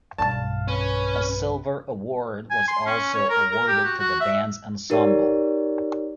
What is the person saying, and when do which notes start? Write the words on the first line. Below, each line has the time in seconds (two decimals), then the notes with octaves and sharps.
A silver award was also awarded to the band's ensemble.
0.18 B1 G2 F5 A5
0.68 C#4 B4
2.50 G#5
2.68 C6
2.86 C#4
3.14 C#5
3.29 A#4
3.50 A#4
3.67 G4
3.85 F#4
3.99 F#4
4.20 E5
4.90 D#4 G4 A#4 C#5 D5